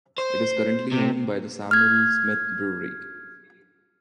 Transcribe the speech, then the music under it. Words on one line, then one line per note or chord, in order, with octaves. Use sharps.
It is currently owned by the Samuel Smith Brewery.
C5
C3
F6 G#6